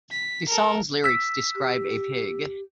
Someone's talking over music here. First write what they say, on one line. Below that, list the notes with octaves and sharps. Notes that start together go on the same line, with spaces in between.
The song's lyrics describe a pig.
B6
A4 A#4
E6 B6
G4